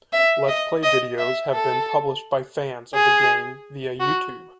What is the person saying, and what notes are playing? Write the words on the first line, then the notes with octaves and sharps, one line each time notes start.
Let's Play videos have been published by fans of the game via Youtube.
E5
D#5
D#5
E5
A4
G#4
F#4